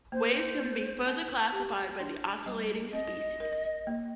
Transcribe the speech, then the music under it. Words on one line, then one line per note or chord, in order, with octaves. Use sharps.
Waves can be further classified by the oscillating species.
A#3 C5
A#3
C4
G4
D4
G3
C4 D#5
A#4
A#3